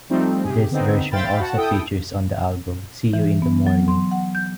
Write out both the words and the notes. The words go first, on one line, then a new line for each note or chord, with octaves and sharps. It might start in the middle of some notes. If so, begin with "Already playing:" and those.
This version also features on the album "See You in the Morning".
F3 G3 A3 C4 D#4
C3 G4 G#4
D3 B3 C4 D#4
C5 E5 F5 G5 B5 A6
F#4 F#5 A5
E4 A4 G5 D#6
E3
B3
F#3
C6
F#5
G6